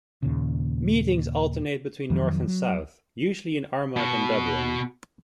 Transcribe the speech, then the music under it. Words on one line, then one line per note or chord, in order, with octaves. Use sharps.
Meetings alternate between north and south, usually in Armagh and Dublin.
D#2 A#2 C#3
F2 D#3 F#3
F#3
B2 F#4